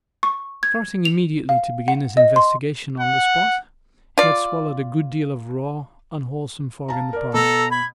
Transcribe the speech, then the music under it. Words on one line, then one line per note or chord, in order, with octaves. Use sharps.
Starting immediately to begin his investigation on the spot, he had swallowed a good deal of raw, unwholesome fog in the park.
C#6
G#6
F7
F5
F#5
D#5
C6
F#5
F4 D5
F5 A5 A#5
A#4 D5
B2 A4 A#5
B5 G#6